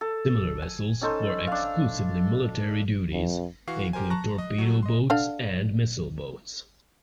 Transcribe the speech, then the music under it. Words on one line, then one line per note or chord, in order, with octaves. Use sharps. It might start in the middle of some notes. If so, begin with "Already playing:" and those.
Similar vessels for exclusively military duties include torpedo boats and missile boats.
A4
G#5
C#4 D#4 A4 C5
D4 F5
F2
E3 F#4 F5 C#6 C7
G4 A#4 C5 G#5
A5 A#5 C#6 F#6 A#6
D#5
F#3 A3
D#5 C6
D3 D4 F5